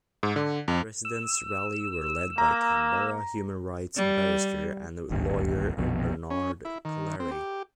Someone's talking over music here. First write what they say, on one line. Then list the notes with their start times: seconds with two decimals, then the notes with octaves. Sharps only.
Residents Rally were led by Canberra human rights barrister and lawyer, Bernard Collaery.
0.23 G#2
0.36 D3
0.68 F2
1.05 E6
2.38 A#3 A#5
3.96 G3
5.10 D1 G#1 D#2
5.78 A#1 F2 B2
6.31 C#4
6.65 E4
6.85 D#3
7.20 C4
7.31 G4